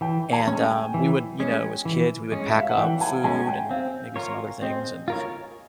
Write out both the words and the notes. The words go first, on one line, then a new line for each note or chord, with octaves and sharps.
And, um, we would, you know, as kids, we would pack up food and maybe some other things and
E3 G5
G#5
G#3 C#4
G5
E3
G#3 C#4
E3
G#3 C#4
E5
F5
F#5
E3 G5
G#5
G#3 C#4 G#5
G5
C4 F5
F4 A#4 C#5
C4 D#5
F4 A#4 C#5